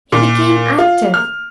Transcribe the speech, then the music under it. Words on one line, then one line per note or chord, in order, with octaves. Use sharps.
He became active.
A#2
F4
F6